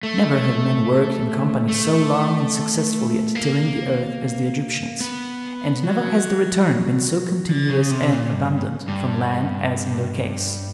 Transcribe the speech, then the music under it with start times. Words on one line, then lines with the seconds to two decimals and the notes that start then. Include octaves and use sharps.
Never have men worked in company so long and successfully at tilling the earth as the Egyptians, and never has the return been so continuous and abundant from land as in their case.
0.03 A3
1.68 A3
3.35 A#3
5.01 B3
5.83 F#3
7.49 D3
7.70 C#3
7.91 C3
8.12 A#2
8.32 G2
8.88 G2